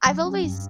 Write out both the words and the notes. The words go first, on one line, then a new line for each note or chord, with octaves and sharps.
I've always
F#3
C#4
G2